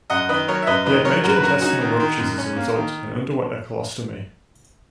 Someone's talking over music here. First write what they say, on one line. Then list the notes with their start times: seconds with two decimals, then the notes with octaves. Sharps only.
He had major intestinal ruptures as a result, and underwent a colostomy.
0.10 F#2 D#5 F#5
0.29 D#3 B4 D#5
0.48 F#3 A#4 C#5
0.62 E5
0.67 F#2 B4 D#5
0.86 D#3 B4 D#5
1.05 F#3 A#4 C#5
1.24 F#2 F#4 A#4
1.36 B4
1.43 F#3 F#4 A#4
1.61 C#4 D#4 F#4
1.81 D#3
2.00 D#3
2.19 F#2
2.38 C#4
2.57 A#3
2.76 D#3